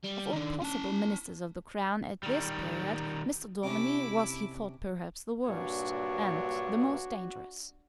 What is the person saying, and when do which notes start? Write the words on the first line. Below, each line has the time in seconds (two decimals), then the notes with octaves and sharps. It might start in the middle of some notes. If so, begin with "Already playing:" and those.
Of all possible Ministers of the Crown at this period, Mr. Daubeny was he thought perhaps the worst, and the most dangerous.
0.04 G3
0.33 D#3 D4
0.62 C#4 A5
2.23 D#3 G3
3.64 C3 C#4 D4 E4 D6
5.47 G2 A#2 D4 F#4 C#5